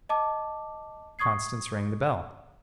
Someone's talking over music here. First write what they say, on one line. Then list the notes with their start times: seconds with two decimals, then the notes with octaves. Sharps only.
Constance rang the bell.
0.09 D#5 A5 D6
1.19 C#6 D#6 G#6 C7